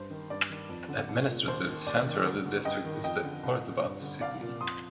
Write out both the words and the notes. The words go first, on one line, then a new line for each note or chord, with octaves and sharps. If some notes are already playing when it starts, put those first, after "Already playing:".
The administrative centre of the district is the Ordubad city.
Already playing: G2 C5
D#3
G2 D5
D#3
F2
D3
C2
A#2
D#2 C5
D#3
D#2 D5
D#3
D2
D3
G2 D#5 G5
D#3
F2 D#5 G5
D3
C2
A#2
G2
D3
C2 D5 F5
A#2
F2 C6 D#6